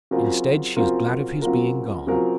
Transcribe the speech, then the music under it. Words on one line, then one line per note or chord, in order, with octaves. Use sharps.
Instead, she is glad of his being gone.
C#3 F#3 C4 F4 A#4
C#3 F#3 C4 F4 A#4
C#3 F#3 C4 F4 A#4
C#3 F#3 C4 F4 A#4